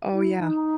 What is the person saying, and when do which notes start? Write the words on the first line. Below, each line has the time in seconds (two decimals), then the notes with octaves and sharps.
Oh yeah.
0.12 E4
0.38 D#4